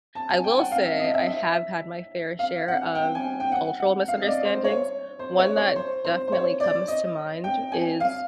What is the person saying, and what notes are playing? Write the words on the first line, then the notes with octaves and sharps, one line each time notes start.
I will say, I have had my fair share of cultural misunderstandings. One that definitely comes to mind is
A5
G#5
G5
F#5
F5
E5
D#5
E5
E5
F5
F#5
G5
G#5
G5
F#5
F#5
F5
D#5
D5
C5
C#5
C5
C#5
C#5
C5
C5
C5
C#5
D5
D#5
G5
G#5
F5